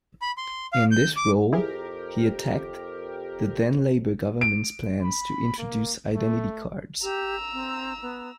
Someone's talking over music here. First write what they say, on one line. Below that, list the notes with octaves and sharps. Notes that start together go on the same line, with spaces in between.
In this role, he attacked the then Labour government's plans to introduce identity cards.
B5
C6
F5
G6
D6
F2 E4 G4 G#4 A#4
D7
B5
A#3
A3
G4 A#5 E6
C4
B3